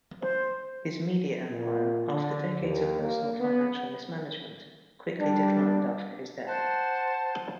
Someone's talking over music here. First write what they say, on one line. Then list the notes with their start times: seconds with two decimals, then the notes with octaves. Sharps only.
His media empire, after decades of personal financial mismanagement, quickly declined after his death.
0.22 C5
1.49 A#2
2.11 D3
2.61 D#2
3.00 A#3
3.39 B3
5.19 G3 D4
6.47 C5 F#5 A5